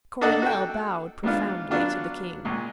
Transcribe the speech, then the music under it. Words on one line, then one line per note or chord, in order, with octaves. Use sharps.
Coronel bowed profoundly to the King.
A#3 D4 D#4 A4 D#5 F#5
F#4 A4 G5
G#2 B3 D4 F4
F#3 B3 D4 F4
C#2 A#2